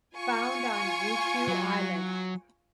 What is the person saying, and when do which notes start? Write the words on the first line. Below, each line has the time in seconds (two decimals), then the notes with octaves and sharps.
Found on Ryukyu Islands.
0.16 F4 G#5 C#6
1.48 F#3